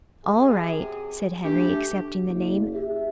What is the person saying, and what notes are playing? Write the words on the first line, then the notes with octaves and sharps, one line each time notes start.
"All right," said Henry, accepting the name.
F#2 C3 G#4
A3 D4 G4
F#1
E4 G4 G#4 E5